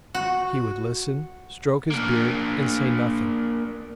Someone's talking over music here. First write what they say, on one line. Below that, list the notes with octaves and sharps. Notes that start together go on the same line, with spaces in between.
He would listen, stroke his beard, and say nothing.
F#4
A#3 D4